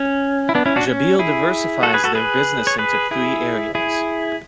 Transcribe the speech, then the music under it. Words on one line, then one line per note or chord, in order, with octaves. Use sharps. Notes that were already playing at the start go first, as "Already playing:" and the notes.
Jabil diversifies their business into three areas.
Already playing: C#4
E4
B3 D4
C#4 E4
D4 F#4
C#4
E4 G#4
F#4 A4
G#4 B4
F#4 A4
G#4 B4
C#5
G#4 B4
E4 G#4
E4 G#4